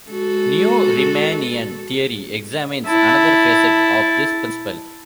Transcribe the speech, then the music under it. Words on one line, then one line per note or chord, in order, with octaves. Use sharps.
Neo-Riemannian theory examines another facet of this principle.
G#3 F#4 A4
E4 A5